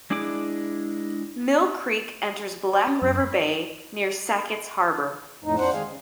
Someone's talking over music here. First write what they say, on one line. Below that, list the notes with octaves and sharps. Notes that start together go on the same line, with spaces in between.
Mill Creek enters Black River Bay near Sackets Harbor.
G#3 D4 E4 G#4 D6
C5
C#4
F#2
B5
F2 A2 D#4
F2 D4 C5 F#5
D#3 G#3 G#4 F5
C#3